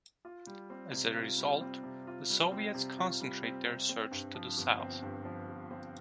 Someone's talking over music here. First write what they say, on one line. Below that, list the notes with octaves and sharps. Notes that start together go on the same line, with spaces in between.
As a result, the Soviets concentrate their search to the south.
F4
G3
C4
C3
F4
G3
C4
C3
F4
G3
C4
C3
F4
G3
C4
C3
C4
G2
F3
G1
C4
G2
F3
G1
C4